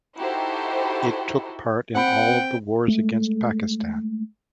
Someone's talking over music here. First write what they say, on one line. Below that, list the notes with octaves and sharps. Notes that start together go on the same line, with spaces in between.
It took part in all of the wars against Pakistan.
D#4 E4 F#4 G4 A4 C5
C4 F#5 G5 B5
G#3 A3